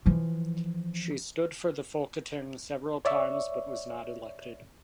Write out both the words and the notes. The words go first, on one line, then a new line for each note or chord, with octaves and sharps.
She stood for the Folketing several times but was not elected.
E3 F3
C#5 D5 E5 C#6